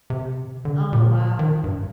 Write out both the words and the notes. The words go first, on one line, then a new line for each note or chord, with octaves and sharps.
Oh, wow.
C3
D3
A#2
D#3
G2